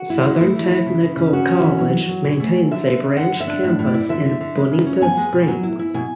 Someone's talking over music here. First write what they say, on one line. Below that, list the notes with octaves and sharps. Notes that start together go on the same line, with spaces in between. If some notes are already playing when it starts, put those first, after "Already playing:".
Southern Technical College maintains a branch campus in Bonita Springs.
Already playing: F#4
E4
G#3
A3 E4
E3
A3
C#3
C#3
C#3
C#4 F#4
C#4
E3
F#3
F#3
F#3
B2 G#4
A3
F#3
D3 E5
D3
D4
D3 F#5
D3
E5
D4
A2
A2
D5
E4
D3 E5
D3
D3
G#3
C#3
C#4
B3 G#5
G#3
B2
F#3
E4
E4
B2 G#5